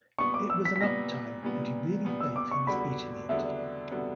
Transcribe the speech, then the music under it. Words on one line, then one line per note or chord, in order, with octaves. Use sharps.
It was an up time, and he really felt he was beating it.
A#2 G3 B3 C#6
D6
E6
B6
B6
A#2 G3 B3 A#6
A#2 G3 B3
A#2 G3 B3
E6
D6
C#6
E2 D3 G3 B3 F#4 B5
E2 D3 G3 B3 F#4 E5
D3 G3 B3 F#4